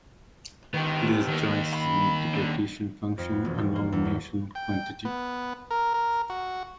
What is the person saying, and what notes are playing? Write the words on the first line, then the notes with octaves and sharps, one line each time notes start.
These choices make the partition function a nondimensional quantity.
D#3 B3 G4
D#3 A#3
B5
D3
F2
B3
E1
G3
A#3
E2
F#3
G5
B3
A#4
A#4
F#4